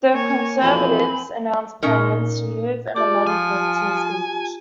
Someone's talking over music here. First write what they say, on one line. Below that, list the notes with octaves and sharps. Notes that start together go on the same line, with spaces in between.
The Conservatives announced plans to move an amendment to the speech.
A#3 C#5 G#5
F2 B2 E3 C4 B5
A#2 C#4 D#4 A#4
F4 G4 D5 A5
F3 G#5